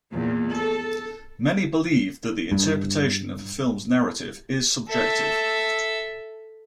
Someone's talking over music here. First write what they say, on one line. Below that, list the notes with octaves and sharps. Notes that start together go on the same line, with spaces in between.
Many believe that the interpretation of a film's narrative is subjective.
E2 A#2
A4
G2
A4 E5